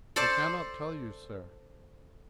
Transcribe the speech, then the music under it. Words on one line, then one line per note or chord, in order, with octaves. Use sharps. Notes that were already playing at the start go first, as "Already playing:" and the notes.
"I cannot tell you, sir."
A4 C5 D5 A5